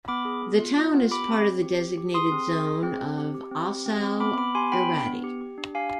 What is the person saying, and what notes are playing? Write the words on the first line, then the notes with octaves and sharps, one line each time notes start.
The town is part of the designated zone of Ossau-iraty.
B3 B5 D6
G#4
B3
F4
F4
B3
G4 B5 D6
C4
C4
G4
G4
G4
G#4 C6 D#6
C4
G#4
G#4
C4
C4
G4
G4
C4
G4
C4
C4
B3 B5 D6
B3 B5 D6
G4 G#5 C6
B3 G5 B5
D4
B3
G4
G4
D4
G4 F5 G#5